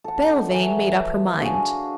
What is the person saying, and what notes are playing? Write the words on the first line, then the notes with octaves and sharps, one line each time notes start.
Belvane made up her mind.
A4 F#5
E3 F#3
D4 F#4 G#4 F5